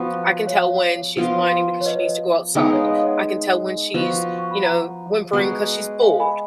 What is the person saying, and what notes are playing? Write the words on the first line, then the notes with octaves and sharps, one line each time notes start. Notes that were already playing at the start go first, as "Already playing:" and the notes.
I can tell when she's whining because she needs to go outside. I can tell when she's, you know, whimpering 'cause she's bored
Already playing: F3 B3 F#4
C#5 F5
F3 B3 F4 A#4
C#5
B4 D#5
G#3 B3 D#4 A#4
C#5 F5
C#5 F5
D#5 F#5
F3 B3 F#4
C#6
B5
F#5 A#5
G#3 B3 F#4 A#4
F5 G#5
G#5 B5